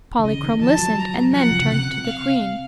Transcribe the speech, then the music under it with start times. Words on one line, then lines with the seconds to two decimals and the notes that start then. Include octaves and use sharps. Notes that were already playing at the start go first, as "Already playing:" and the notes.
Polychrome listened and then turned to the Queen.
0.19 D#3
0.25 C#3 D#5
0.43 D#3
0.61 F3 A5
0.79 F#3
0.97 A#5
1.15 F#3
1.33 F3 F#5
1.51 C3
1.62 C#3
1.69 C3 F#5
2.06 F5